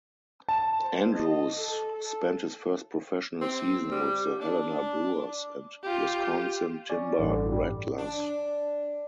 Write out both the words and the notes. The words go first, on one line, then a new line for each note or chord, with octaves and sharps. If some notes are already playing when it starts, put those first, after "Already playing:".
Andrews spent his first professional season with the Helena Brewers and Wisconsin Timber Rattlers.
A5
C5
D#5
A4
A4
C4
G3
D4
F4 G4
C#4 D5
A1 G2 D3
G3
D4